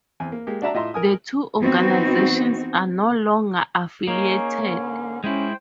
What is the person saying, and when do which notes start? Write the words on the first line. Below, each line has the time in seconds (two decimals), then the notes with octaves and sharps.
The two organizations are no longer affiliated.
0.20 E2 C4 G#5
0.32 A#3
0.47 G#3 A#3 G4
0.62 D4 F#4 D5 E5 A5 A#5
0.74 A2 F4 D#5 E5 A#5 C6
0.94 A#4 G#5 D#6
1.60 E3 B3 C4 D#4 F#4
4.08 A#3 C#4 D#4 G#4 C#5
4.66 G#2 D3 C#4
5.24 G#3 C#4 E4 C5 G5